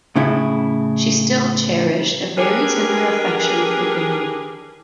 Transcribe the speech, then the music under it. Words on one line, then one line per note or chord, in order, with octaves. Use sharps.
She still cherished a very tender affection for Bingley.
A2 C#3 E4
C#4 D4 G4 G#4 A#4 B4